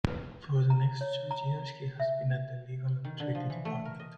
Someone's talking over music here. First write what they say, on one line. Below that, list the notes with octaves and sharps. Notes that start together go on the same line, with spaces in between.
For the next two years he has been at the Legal and Treaty Department.
B4
A#5
C#5
A#5
E5
D#3
D3
F3
E3
A3
A#4
D#5